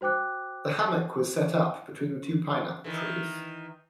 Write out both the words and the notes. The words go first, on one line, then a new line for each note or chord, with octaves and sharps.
The hammock was set up between the two pineapple trees.
F#4 C5 G5 D6 F#6
D#3 E3